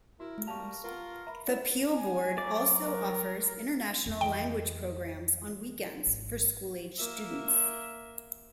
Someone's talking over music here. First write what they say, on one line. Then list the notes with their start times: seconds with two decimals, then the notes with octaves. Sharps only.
The Peel board also offers International Language Programs on weekends for school-aged students.
0.20 E4 F#4 A#4
0.47 G3 F5 A5 C#6 F7
0.84 F4 A#4 B4 F#5 A#5
1.27 E5 A#5 B5
1.47 E4 C#5 D5 F#5 E7
1.94 G#5
2.38 F#3 D5
2.84 A#4
4.06 F2 A#3
4.21 E3 D#5 G5
6.06 G#1
6.98 A#3 E5